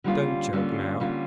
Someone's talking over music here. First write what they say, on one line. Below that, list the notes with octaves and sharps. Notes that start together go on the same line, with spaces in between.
Don't joke now.
D3 G3 A#3 C#4 F4
D3 G3 A#3 C#4 F4
D3 G3 A#3 C#4 F4